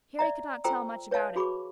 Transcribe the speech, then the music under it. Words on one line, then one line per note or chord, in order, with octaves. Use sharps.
Harry could not tell much about it.
D5 E5 A#5
F4 A4 C5 G5 A#5 E6
B4 C#5 E5 F5 A5
F#4 G#4 B5 C#6 D6